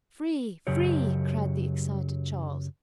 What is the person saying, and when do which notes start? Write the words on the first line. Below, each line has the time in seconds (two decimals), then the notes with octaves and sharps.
"Free! free!" cried the excited Charles.
0.67 F#2 C#3 F#3 G4 C#5